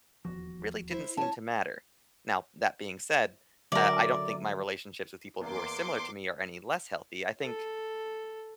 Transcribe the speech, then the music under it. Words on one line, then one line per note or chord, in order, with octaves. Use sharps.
really didn't seem to matter. Now, that being said, uh, I don't think my relationships with people who are similar to me are any less healthy. I think
D#1 E2 F3 F#4
E4 C5
C#4 C#5 A5
D3 F#3 A#4 D5 E5
E2 A#3 C6 D6
A4